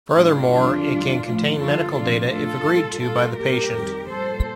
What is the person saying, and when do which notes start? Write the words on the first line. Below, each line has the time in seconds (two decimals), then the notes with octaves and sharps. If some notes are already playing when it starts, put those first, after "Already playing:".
Furthermore, it can contain medical data if agreed to by the patient.
0.14 A2 G3 D4 F4
0.51 F2 D3 G3
0.85 F2 D#3 G3
1.21 A2 F3 A3
1.57 F2 D3 G3 F4 A4
1.93 C3 F3 A3 D4 F4
2.29 A2 A3 F4 A4
2.65 A#2 G3
3.01 A2 G3 F4 A4
3.37 A#2 G3 G4 A#4
3.72 F2 D#3 G3
4.08 A#2 G3 A4 C5